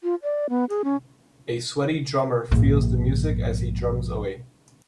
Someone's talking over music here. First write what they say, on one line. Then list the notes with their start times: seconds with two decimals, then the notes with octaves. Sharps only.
A sweaty drummer feels the music as he drums away.
0.03 F4
0.23 D5
0.49 B3
0.69 G#4
0.84 C#4
2.51 A#1 G#2